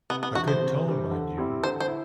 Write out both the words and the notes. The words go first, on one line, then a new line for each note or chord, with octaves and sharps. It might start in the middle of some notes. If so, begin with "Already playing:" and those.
A good tone, mind you!
C3 B3
B3
E3 G3 D4 F#4
C5
C3
E3 G3 D4
D3
G3 C4 E4
D3 C5
C5
E4